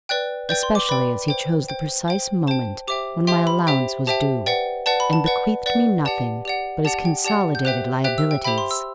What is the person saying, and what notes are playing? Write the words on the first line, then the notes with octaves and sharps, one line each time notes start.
Especially as he chose the precise moment when my allowance was due, and bequeathed me nothing but his consolidated liabilities.
B4 D5 G5 F#6
B4 D5 G5 G6
C6
D6
B4 D5 G5 B5
C5 G5
C5 G5
C5 G5
C5 G5 A5
G4 C5 E5 G5 D6
G4 C5 E5 G5 C6
B5
G4 C5 E5 G5
G4 C5 E5 G5 A5
B4 D5 F#5 G5
B4 D5 F#5 A5
B5
A5
B4 D5 F#5
B4 D5 F#5
G4 D5 F#5 A5
G4 D5 F#5
G4 D5 F#5 A5
G5
G4 D5 F#5 A5
G6
G4 C5 E5 G5 F#6
G4 C5 E5 G5 F#6
E6
G5
G4 C5 E5 G5 B5
C6
E6